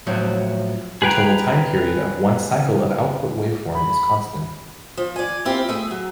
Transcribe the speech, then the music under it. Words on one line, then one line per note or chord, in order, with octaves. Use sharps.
The total time period of one cycle of output waveform is constant.
A2 F3 F#3
G#4 B4 G5 A#5
B5
F3
D5 G#5
C4 E4 F4 G4 A#4
A3 G#4 E5
F#3